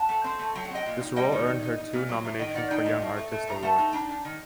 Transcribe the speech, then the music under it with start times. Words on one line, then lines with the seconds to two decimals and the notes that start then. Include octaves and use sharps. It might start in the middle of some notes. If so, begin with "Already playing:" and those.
This role earned her two nominations for Young Artist Awards.
Already playing: F#5 A5
0.09 A3
0.24 C4
0.39 A3
0.55 F#3 G5
0.65 F#5
0.71 C4 D#5 G5
0.86 A#2
1.01 D#4
1.16 G3 D#5 G5
1.32 D#3
1.47 D#4
1.62 D#4
1.78 D#4
1.93 A#2
2.09 F#3
2.24 A2
2.39 D#3 D#5 G5
2.55 D#3 D5 F#5
2.70 D#4 D#5 G5
2.86 A#2
3.02 A2
3.17 A3
3.32 A3
3.48 A2 A#5
3.63 A3 F#5 A5
3.78 D#4
3.93 D4 G5 A#5
4.09 D4
4.25 D#3